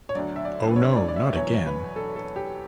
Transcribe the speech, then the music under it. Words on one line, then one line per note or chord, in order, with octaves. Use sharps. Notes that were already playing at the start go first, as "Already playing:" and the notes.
Oh no, not again!
C#5
D2 D3 F#3 D5
E5
D5
B4
C#5
D5
D5
E5
E2 B2 F#3 C#5
B4
A4
A4
G4